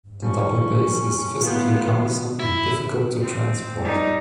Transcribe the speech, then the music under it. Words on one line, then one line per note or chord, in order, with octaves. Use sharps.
The double bass is physically cumbersome and difficult to transport.
F3 G3 C#4
A2 B3 F4 A#4 G6
E4
C4
G3 D#4